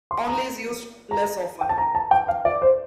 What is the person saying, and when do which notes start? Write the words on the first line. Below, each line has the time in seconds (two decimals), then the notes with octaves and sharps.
Only is used less often.
0.11 C6
0.27 A#5
1.11 A#5
1.61 G5
1.69 A5
1.78 A#5
1.95 A5
2.11 G5
2.28 F5
2.45 D5
2.62 C5